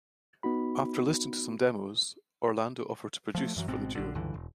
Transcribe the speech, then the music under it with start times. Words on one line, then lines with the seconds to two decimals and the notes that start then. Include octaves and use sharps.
After listening to some demos, Orlando offered to produce for the duo.
0.43 B3 D#4 F#4 B5
3.35 F3 A3
3.56 F#2 E3 F#3
3.68 G#1 G#2 B2 C4
3.95 A#1 D3
4.15 C#2 G2 D3 E3
4.34 E1